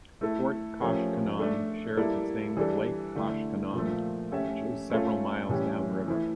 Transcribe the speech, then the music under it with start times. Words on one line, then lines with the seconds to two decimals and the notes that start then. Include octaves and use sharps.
Fort Koshkonong shares its name with Lake Koshkonong, which is several miles downriver.
0.21 A3 E4 A4
0.80 F3 A3 C#4 G4 A#4
1.40 A3 D4 A4
1.97 G3 A#3 E4 A4 D5
2.57 E3 G3 D4 A4
3.15 D3 A3 E4
3.73 A#2 F3 A3
4.32 A3 C#4 G4 C#5 E5
4.90 A3 C#4 F4 A4
5.49 A2 E3 G3 C#4 G4
6.08 E3 A3 E4